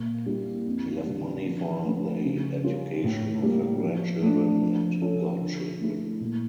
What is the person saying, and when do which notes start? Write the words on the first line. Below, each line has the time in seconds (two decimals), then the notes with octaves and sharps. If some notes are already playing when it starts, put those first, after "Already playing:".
She left money for the education of her grandchildren and godchildren.
Already playing: A#2
0.26 G3 A#3 E4
0.66 F2
1.06 D3 G3 D4
1.45 F3
1.85 A3 C#4
2.24 C#3
2.63 G3 C#4 F4 A#4
3.04 A2
3.43 G3 A#3
3.83 F3
4.22 A3 D4
4.62 F3
5.01 C#4 F4 A4
5.41 D3
5.81 A3 E4
6.20 A#2